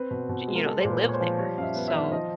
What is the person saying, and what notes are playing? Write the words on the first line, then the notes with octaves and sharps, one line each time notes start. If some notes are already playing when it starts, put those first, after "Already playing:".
j you know, they live there, so
Already playing: C4 B4
B2
B2
G#3
A#4
G#3 A4
C5
A#2
B4
A#2
C#5
C5
F3
G3 C#5
F#2 F5
E5
B3
E5
D#3
F3 D#5